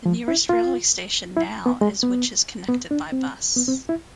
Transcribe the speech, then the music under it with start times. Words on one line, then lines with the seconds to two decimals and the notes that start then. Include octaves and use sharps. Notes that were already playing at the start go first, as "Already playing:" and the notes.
The nearest railway station now is which is connected by bus.
0.06 F3
0.28 E4
0.49 F4
1.37 E4
1.66 B3
1.81 G#3
2.03 B3
2.68 B3
2.91 D4
3.12 C4
3.56 B3
3.68 C4
3.89 E4